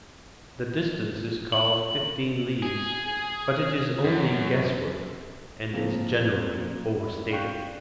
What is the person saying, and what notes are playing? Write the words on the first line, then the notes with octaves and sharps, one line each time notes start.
The distance is called fifteen leagues; but it is only guess-work, and is generally overstated.
F#7
G#4
F#2
C#3 F3 G#3 A#3 C4
D4 E4
D5 F5 G5 C#6 F#6 G6